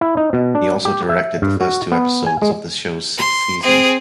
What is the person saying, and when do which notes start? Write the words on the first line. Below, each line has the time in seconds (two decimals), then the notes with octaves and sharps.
He also directed the first two episodes of the show's sixth season.
0.01 E4
0.17 D#4
0.33 B2
0.55 D4
0.85 G4
1.09 E5
1.42 G2
1.61 F#4
1.92 B3
2.26 G#5
2.42 G#3
3.18 C6
3.63 C4 G#4